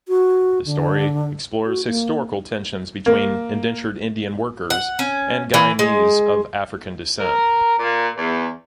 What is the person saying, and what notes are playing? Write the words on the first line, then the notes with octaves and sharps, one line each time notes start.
The story explores historical tensions between indentured Indian workers and Guyanese of African descent.
F#4
D3
F#4
A#3
A#3
F#5
C#4
E3
G#3
A#4
A#2
E2